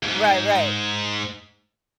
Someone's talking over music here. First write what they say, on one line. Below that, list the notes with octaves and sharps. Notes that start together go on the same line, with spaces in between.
Right, right.
C#2 G#2